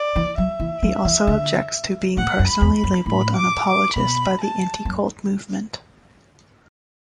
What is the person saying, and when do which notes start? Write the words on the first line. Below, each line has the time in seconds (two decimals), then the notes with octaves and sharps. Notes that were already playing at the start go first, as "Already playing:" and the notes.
He also objects to being personally labeled an "apologist" by the "anti-cult movement".
Already playing: D5
0.16 E3
0.37 F#3 E5
0.60 E3
0.82 F#3
1.05 E3
1.27 D3
2.17 A2 F#5
2.39 F#2
2.47 B5
2.61 E2
2.77 B5
2.84 F#2
3.06 A2 B5
3.36 D6
3.67 D6
3.96 B2 B5
4.41 A5
4.85 F#2